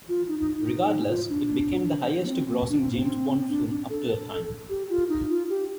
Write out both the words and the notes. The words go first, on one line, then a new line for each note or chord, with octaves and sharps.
Regardless, it became the highest-grossing James Bond film up to that time.
F4
D#4
D#4
D#4
F4
D4
A#3
C4
A#3
D4
C4
A#3
C4
D4
D4
A4
G4
F4
D#4
F4
G4